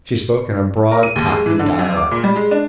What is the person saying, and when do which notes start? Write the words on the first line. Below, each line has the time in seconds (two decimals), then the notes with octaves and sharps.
She spoke in a broad Cockney dialect.
0.92 A#4
1.03 D#7
1.16 D#2
1.29 G#3
1.46 E3
1.59 D3
1.79 F#2
1.97 D6
2.11 A#2
2.24 G3
2.36 G#3
2.51 D4